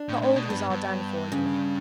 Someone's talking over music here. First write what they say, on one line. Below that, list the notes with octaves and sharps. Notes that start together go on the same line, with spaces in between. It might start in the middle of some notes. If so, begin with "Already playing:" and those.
The old was all done for, you know.'
Already playing: D4
A2
A2
B2
G2 B3
G2
C#3